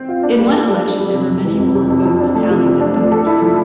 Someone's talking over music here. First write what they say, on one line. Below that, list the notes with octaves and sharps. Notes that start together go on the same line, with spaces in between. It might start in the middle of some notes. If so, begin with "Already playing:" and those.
In one election there were many more votes tallied than voters.
Already playing: C4
F4
D4
G3
A4
G3
D4
G3
C3
F2
E3
F2
C3
F2
F3
D4
A3
C3
F3
D4
A3
A4
E4
F3